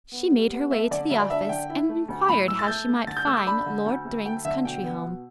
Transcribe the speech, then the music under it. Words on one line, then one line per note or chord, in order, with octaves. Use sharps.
She made her way to the office and inquired how she might find Lord Thryng's country home.
B3
G3
B3
A3 E5
D3 D5
D2 E5
D5
D4 E5
E5
D3 G5
E4
A3
D2
A2 B5
A2 E6
A6
A3 G6
A3
D3 A6
G6
A3 E6
D6
D4 B5
D3
D2
D2
A3 G5
D3 E5
B2 G5
B3
B2